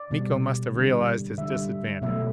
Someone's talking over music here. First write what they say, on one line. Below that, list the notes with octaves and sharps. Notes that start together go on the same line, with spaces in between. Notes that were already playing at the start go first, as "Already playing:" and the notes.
Miko must have realized his disadvantage.
Already playing: D5
B2 G3
D3 G3
D3 G3 E5
B2 F#3 A3 E5